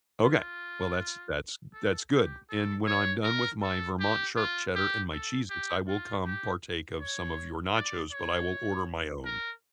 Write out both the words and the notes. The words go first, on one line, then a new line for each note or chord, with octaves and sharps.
Okay, well, that's that's that's good, and when I'm done with my Vermont sharp cheddar and my Cheez-its, I will come partake of some of your nachos, but I will order my own.
F4
A4
G4
A4
C#5
A#4
A4
G4
F4
G4
A4
G4
F4
G4
C#5
D5
C#5
A#4